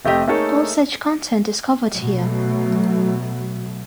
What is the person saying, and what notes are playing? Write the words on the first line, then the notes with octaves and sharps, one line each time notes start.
All such content is covered here.
F1 A3 C4 G4 D#5
A3 A#3 D#4 G#4 A4 C#5
B2 F#3 A3